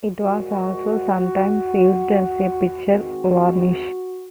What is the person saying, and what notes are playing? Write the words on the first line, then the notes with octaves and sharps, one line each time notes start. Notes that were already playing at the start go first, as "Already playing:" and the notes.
It was also sometimes used as a picture varnish.
A#2 F3 G#3 F#4
D#3 G#3 C4 F#4